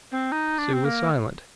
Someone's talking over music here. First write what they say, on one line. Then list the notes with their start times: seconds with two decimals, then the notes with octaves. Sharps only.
Sue was silent.
0.12 C4
0.32 D#4
0.58 D4
0.73 C4
0.84 A#3